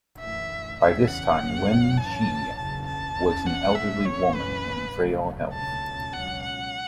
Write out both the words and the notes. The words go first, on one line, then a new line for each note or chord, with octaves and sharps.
By this time, Wen Shi was an elderly woman in frail health.
F#2 E3 A3 E5
E2 C#3 E3 C#4 E5
F#5
F#1 F#2 F#3 C#4
A2 E3 C#4 A5
F#1 E2 C#3 A5
A5
E2 E3 C#4
F#5
A1 A2 A3 C#4 E5
C#5
F#2 E3 C#4 B4
F#2 C#3 F#3 A3
C#2 B2 A3 C#4 A5
C#2 B2 F#3 C#4 F#5
F#5